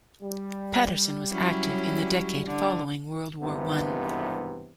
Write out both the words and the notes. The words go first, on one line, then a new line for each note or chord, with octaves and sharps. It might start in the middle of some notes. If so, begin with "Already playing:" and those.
Patterson was active in the decade following World War I.
G3
F#3 C#4 E4
D3
G#1 G2 C3 E3 B3